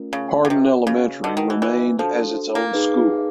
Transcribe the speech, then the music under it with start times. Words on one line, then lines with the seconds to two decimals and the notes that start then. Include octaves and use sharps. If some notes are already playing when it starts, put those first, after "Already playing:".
Hardin Elementary remained as its own school.
Already playing: A3 C#4 F4 A#4
0.13 C#3
0.45 C#3
0.50 C3 F#4 B4 D#5
0.87 C#3
1.24 D3 D#4 F#4 B4 D#5 F#5
1.37 D#3
1.50 E3
1.62 E3
1.99 F3 D4 F#4 A4 C5
2.55 A#3
2.74 D#4 G#4 B4